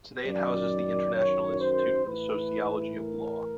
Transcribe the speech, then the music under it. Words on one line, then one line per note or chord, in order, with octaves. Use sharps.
Today it houses the International Institute for the Sociology of Law.
F#2 D5
D#3
C#5
C5
A2 E3 B4
A#4